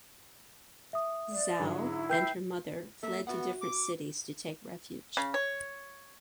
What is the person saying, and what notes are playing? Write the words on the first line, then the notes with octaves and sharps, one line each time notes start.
Zhao and her mother fled to different cities to take refuge.
E5 D#6
D5
G#2 D3 F#3
E4
B4 E5 G5 G6 C7
A#3 A4 E5
B3 F#4 E5 F#5
D6
C#3
C#5